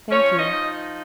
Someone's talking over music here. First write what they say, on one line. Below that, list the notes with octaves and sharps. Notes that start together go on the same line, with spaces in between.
Thank you.
F3 C#4 C#5
D#4 D#5
D#4